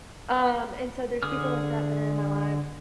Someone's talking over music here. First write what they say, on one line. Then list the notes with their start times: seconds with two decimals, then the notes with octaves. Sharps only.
Um, and so there's people like that that are in my life
1.23 D3 G#4 D6 D#6 F6